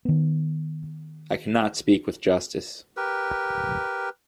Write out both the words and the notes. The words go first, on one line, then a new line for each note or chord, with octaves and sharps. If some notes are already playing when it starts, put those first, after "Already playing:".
I cannot speak with justice.
D#3 B3
G4 A#4 B4